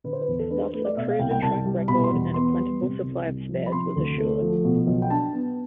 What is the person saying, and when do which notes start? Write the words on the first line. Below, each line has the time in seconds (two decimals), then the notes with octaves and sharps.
Thus a proven track record and a plentiful supply of spares was assured.
0.04 D3 B4
0.13 C5
0.21 B4
0.28 E2
0.39 A4
0.50 D4 B4
0.62 C5
0.73 A3 B4
0.85 D5
0.96 B2 E5
1.08 F5
1.19 C2 G5
1.31 G5
1.42 C2 A5
1.65 G3
1.88 B2 B5
2.04 C6
2.11 E2
2.34 B3 C6
2.57 G3
2.81 C3
3.03 C2
3.26 C2
3.49 F3
3.66 B5
3.72 C3 C6
3.96 D2
4.18 A3
4.41 F3
4.64 B2
4.87 B1
5.02 G5
5.10 D4 A5
5.33 B3